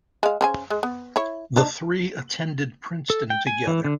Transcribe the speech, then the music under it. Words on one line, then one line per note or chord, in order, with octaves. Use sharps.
The three attended Princeton together.
G#3 F5
C#3 C5 G#5
G#3
B3
E4 C#5
D4 D#4
A4
G5
G#5
E3
D3